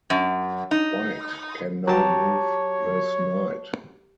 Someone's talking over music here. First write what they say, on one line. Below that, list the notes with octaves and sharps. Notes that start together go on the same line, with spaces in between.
White can now move this knight.
F#2
D#4
F#3 G4 C#5 A5 A#5